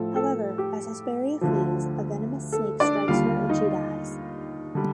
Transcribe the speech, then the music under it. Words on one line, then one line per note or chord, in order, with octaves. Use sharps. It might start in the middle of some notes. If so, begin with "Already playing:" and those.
However, as Hesperia flees a venomous snake strikes her and she dies.
Already playing: A2 F3 A4
A4
G4
D2 D3 F3
A4
D4 D5
D#2 D3 G3 F4 F5
D#4 D#5
D3 G3